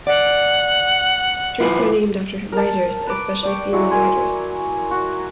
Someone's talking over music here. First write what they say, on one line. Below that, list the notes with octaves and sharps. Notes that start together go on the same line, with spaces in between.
Streets are named after writers, especially female writers.
D5 F#5
E4 F4 B4
A#4 A5
B4 D6
D5 G5 C#6
F#3 G#3 E4 F#4
A#4 G#5 C6
F#4